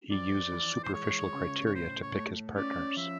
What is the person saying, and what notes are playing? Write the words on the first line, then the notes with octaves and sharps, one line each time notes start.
He uses superficial criteria to pick his partners.
F2 D5
E3
C5
G#3 C#5
C#3
C#5
A2 C5
C#5
A3
C#4 D5
F3 E5